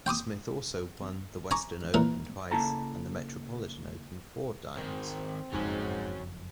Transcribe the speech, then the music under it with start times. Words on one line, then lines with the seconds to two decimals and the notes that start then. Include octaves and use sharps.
Smith also won the Western Open twice and the Metropolitan Open four times.
0.06 G5 C6 D6 D#6
1.51 G#5 A#5 C#6 D6
1.94 A#2 E3 A#4
2.51 C#3 A#3 E4 A4 A5 A#5
4.77 G#2 D#3 C4
5.53 F#1 F2 G#2 F#3 C#4